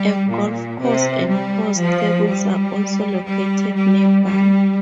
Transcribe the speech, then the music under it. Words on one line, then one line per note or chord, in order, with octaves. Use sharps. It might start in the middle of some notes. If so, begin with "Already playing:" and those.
A golf course and horse stables are also located nearby.
Already playing: G3
A#2
C3
G3
F3
G3
G3
G3
G3